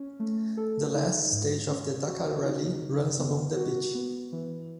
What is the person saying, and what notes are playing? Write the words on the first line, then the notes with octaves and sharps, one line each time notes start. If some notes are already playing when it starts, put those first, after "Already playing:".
The last stage of the Dakar Rally runs along the beach.
Already playing: C#4
A3
A4
D#4
G#2
C#4
F#4
D#4
C#3
B3
F#4
B3
E3